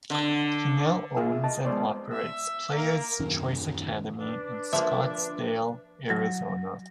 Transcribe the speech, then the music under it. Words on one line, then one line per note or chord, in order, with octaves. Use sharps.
He now owns and operates Player's Choice Academy in Scottsdale, Arizona.
D3
A#3 F4 G#4 E5
D#5 A5
G#3 B3 C5 D5
E5
A#3 A#4
D#1 F#2 D#3 C#4
D4 B4
F3 A#3 E5
F#3